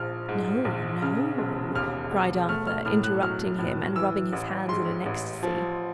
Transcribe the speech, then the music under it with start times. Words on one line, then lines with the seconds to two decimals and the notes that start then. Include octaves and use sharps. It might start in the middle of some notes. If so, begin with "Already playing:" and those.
'No, No,' cried Arthur, interrupting him, and rubbing his hands in an ecstasy.
Already playing: A#1 F3 F6
0.29 G#2
0.65 A#1
1.02 C#3 F6
1.38 E1
1.75 D#2 F6
2.12 E1
2.49 A3 F6
2.67 F6
2.85 A2 F6
3.04 F#6
3.22 F#3 F6
3.59 A2
3.96 E3 E6
4.33 A1
4.69 G#2 C6
5.06 A1
5.43 F3